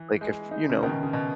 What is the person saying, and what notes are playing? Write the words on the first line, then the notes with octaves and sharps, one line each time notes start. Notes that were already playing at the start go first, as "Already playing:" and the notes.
Like, if you know,
Already playing: E3
G#3
D#4
C#3
B2 D#3
C#3
B2